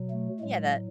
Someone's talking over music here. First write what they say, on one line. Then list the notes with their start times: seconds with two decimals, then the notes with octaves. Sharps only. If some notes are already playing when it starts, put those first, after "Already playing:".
Yeah, that
Already playing: B2 F#3
0.11 A3
0.40 A2 F#3 G#3